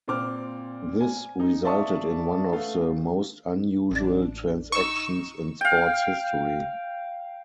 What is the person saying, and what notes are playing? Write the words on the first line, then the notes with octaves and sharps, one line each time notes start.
This resulted in one of the most unusual transactions in sports history.
A#2 C4 D6 F6
G#5
D#4
D5 E5 F5 A5 C#6 D#6
A3 B3 F5
A1 D4
D#4 C#6 E6
F5 G5